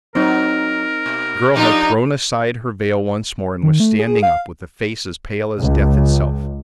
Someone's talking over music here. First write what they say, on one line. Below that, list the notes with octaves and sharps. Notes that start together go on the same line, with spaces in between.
The girl had thrown aside her veil once more, and was standing up, with a face as pale as death itself.
F#3 C4 D#4 A#4
B2
F3 D4 D#4 G4
D#3
A3
G#4
F5
C#2